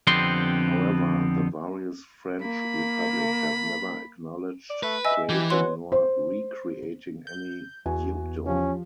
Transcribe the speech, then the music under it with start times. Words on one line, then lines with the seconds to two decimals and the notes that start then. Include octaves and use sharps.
However, the various French Republics have never acknowledged creating nor re-creating any dukedom.
0.07 F2 D3 B3 C4 G4 C6
2.42 A#3 B5
4.69 D5
4.83 A3 B4
5.05 D#5 E5 G#5
5.29 E3 G4
5.50 F#4 B4 C#5 C6
5.92 C5
7.27 G6
7.86 E2 F#4 G#5
8.46 F3 C#4 G4